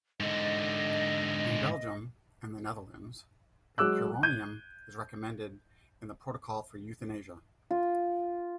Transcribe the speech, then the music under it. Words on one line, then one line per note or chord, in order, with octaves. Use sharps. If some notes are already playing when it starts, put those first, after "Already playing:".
In Belgium and the Netherlands, pancuronium is recommended in the protocol for euthanasia.
G#2 D3 D#5
F#3 G#3 D6 E6 F#6
G6 G#6 D#7
F4